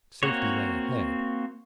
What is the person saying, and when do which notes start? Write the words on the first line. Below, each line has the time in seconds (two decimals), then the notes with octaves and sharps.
Safety lay ahead.
0.23 A#3 C4 F#4 C#5